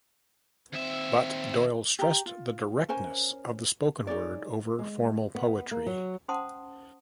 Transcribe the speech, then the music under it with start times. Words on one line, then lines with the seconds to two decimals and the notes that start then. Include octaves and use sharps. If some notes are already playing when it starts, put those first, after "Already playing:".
But Doyle stressed the directness of the spoken word over formal poetry.
0.73 D#2 C4 E5
1.99 G4 A#5
2.26 F4
2.89 C#4 A#4 C5 G#5
4.07 D#4 G#4 C#5 D5
4.79 G#3
5.35 B3
5.71 A#3
5.86 F#3
6.28 C#4 C5 F#5 A5 C6 D#6